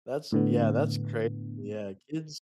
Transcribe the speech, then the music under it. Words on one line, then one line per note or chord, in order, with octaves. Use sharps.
That's yeah, that's crazy, yeah. Kids
A2 D3 B3